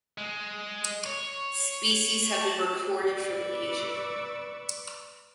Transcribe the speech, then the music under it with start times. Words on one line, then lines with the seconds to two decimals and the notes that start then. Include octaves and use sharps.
Species have been recorded from Asia.
0.18 G#3
1.06 C#5
2.42 A5
3.07 B4 D5 B5 C#6 D6 E6